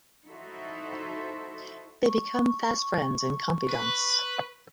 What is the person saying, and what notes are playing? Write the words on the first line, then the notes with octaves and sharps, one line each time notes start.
They become fast friends and confidantes.
D#4 E4 F#4 A4 C5 E5
C#6
B4